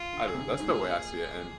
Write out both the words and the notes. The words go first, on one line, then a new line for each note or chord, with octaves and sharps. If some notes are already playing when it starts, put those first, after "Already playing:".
I don't know, that's the way I see it and
Already playing: F4
D3
G#4
C3
D3
G2
G#2
A#2